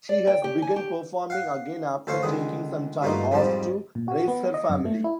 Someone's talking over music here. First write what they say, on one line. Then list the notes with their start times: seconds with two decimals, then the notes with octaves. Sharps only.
She has begun performing again after taking some time off to raise her family.
0.09 D5
0.27 G5
0.44 G4
0.62 G#5
0.76 G4
1.30 F5 F#5
2.07 D2 A4 C5 C#5 F5 C#6
2.23 C#2 D3 D#3 G#3 D#6
3.02 G2 B2 A3 A#3 D#4 F4
3.32 B1 F2 G#2 F3 G3 A5
3.95 A#2
4.08 F#4
4.28 B3
4.54 D#5
4.69 F#2
4.85 A3
5.04 E4